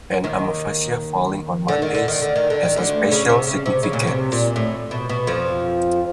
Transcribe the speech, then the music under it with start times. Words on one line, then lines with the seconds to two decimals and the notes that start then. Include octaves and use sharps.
An Amavasya falling on Mondays has a special significance.
0.24 D#2 D#3
1.68 D3
1.82 D#3
1.95 D3
2.08 D#3
2.22 D3
2.36 D#3
2.50 D3
2.63 D#3
2.76 D2 D3
3.12 C#3
3.29 C3
3.47 C#3
3.66 C3
3.83 C#3
3.93 A#2
4.00 B2
4.07 C3
4.32 A#2
4.56 A2
4.91 B2
5.09 B2
5.27 F2 F3